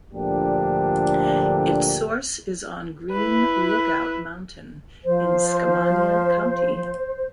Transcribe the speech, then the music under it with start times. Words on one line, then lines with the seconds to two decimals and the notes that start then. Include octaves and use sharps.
Its source is on Green Lookout Mountain in Skamania County.
0.13 D2 A#2 D3 F3 D4 G4
3.11 E4 B4
5.05 F3 C5